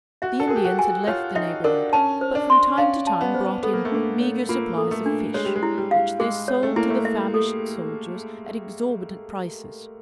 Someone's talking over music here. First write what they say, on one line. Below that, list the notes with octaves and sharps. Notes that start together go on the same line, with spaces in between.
The Indians had left the neighborhood, but from time to time brought in meagre supplies of fish, which they sold to the famished soldiers at exorbitant prices.
F#4 E5
A4
G#4 A#4
G4
F#4
G#5
F4 C#5
D#4 E5
D4 A#4
C#4 A5
C5
D4
C6
C#4 F5
A5
B3
C5
B3 A4
A#3
A3
A#3 D4
C#5
A#3 F4
A4
A3
D4
G#3 C#5
G3
G#3
E4
G3
F5
G#3 G#4
C#5
A3
A#3 E4
A3
E5
A4